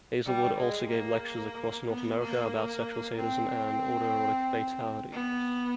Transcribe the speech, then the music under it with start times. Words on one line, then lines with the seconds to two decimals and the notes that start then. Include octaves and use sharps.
Hazelwood also gave lectures across North America about sexual sadism and autoerotic fatalities.
0.25 G3
0.58 G#3
0.90 A#3
1.87 B3
2.20 A#3
3.17 C4
5.12 B3